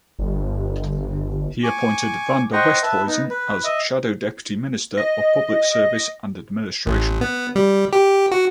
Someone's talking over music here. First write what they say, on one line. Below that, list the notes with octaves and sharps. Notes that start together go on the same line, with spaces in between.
He appointed Van der Westhuizen as Shadow Deputy Minister of Public Service and Administration.
G1
G#5 C#6 D6
C5 D#5 F#5 G5 A#5 C#6
B4 E5 A5
B3 D#4
B4
D#5 E5
D#5
A1
B3
G3
G4
F#4